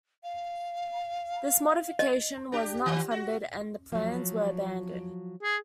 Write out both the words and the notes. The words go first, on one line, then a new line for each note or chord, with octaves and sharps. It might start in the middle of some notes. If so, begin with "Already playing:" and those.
This modification was not funded and the plans were abandoned.
F5
D#5
D4 G4
D#3 F3
F#4
F3 F#3
G#4